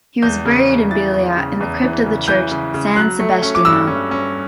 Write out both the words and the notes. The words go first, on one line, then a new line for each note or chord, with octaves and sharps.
He was buried in Biella in the crypt of the church "San Sebastiano".
E2 G6
C#3
E2
E3 A6
E2
C#3
E2
E3
C#3
E3 G6
C#3
C#3
F#3 F#6
A3
C#4
D6
G2 E6
C#4
C#4